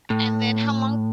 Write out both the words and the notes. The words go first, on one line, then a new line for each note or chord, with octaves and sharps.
And then how long
A2